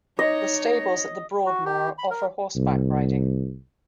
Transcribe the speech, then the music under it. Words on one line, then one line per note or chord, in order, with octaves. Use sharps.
The Stables at the Broadmoor offer horseback riding.
D#4 C#5 D#5
F#4
G4
B5
A#4
C2